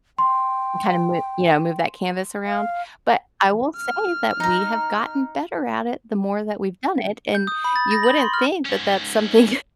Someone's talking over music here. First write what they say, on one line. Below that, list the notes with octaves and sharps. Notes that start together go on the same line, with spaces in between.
and kinda mo Yeah, move that canvas around. But I will say that we have gotten better at it the more that we've done it, and you wouldn't think that that's something
G5 C6
F5
F6
D#4 A#5
G6
D#6
B5
A6
A#6
F#7
C6
F6
G#2 C#4